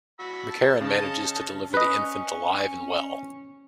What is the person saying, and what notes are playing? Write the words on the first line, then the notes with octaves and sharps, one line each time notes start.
McCarron manages to deliver the infant alive and well.
F#4 B5 E6
A5
C#3 C#4 D#5 A5
C#4 B4 D#5